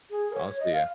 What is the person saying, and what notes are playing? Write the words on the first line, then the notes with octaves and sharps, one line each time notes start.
I'll see ya.
G#4
A#4
C#5
D#5
F5